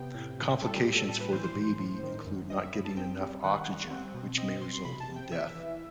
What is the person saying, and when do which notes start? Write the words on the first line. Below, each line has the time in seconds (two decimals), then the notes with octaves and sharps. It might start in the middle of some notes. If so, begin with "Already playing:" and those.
Complications for the baby include not getting enough oxygen which may result in death.
Already playing: C3 B3 G5
0.14 A2
0.38 A2
0.62 G3 A4
0.77 G4
0.85 A2
0.93 A4
1.09 G3 A4
1.21 B4
1.32 E3 C5
1.44 C5
1.56 A2
1.79 A2
2.03 D#3
2.27 F#2
2.50 F#2 D#5
2.61 E5
2.73 F#2 B5
2.85 A5
2.97 C4 G5
3.21 G3
3.44 D#3 F#5
3.68 G3
3.91 C4
4.14 B2
4.38 C4 D#5
4.50 D#5
4.61 B2 C6
4.73 C6
4.85 C3 B5
5.00 A5
5.09 C3
5.16 G5
5.32 E3 E5
5.55 E3